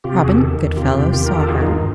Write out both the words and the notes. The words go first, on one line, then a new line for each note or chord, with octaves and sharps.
Robin Goodfelllow saw her.
C3 F4 G4
F#4 G#4
E2
G4 A4
D#3
E2
C3 F4 G4
E2
D#3
E2 A#4
A4
D#3 F#4 G#4
D#4 F4
G2